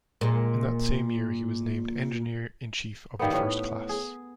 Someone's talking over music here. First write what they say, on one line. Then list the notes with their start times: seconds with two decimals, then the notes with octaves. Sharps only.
In that same year, he was named Engineer-in-Chief of the first class.
0.21 A#2 G#3
3.19 D#3 G3 A#3 B3
3.32 A2 B4
3.89 G#4